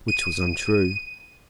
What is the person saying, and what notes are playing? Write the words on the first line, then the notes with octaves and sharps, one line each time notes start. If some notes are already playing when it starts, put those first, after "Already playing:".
Which was untrue.
D#7